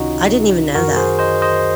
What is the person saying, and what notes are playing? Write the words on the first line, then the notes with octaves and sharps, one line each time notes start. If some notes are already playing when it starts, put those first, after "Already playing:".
I didn't even know that.
Already playing: C#2 C3 D#3 C#4 D#4 F4 F#4
F#2 D#3 F#4 A#4
G#4 C5
C5 D#5
C5 D#5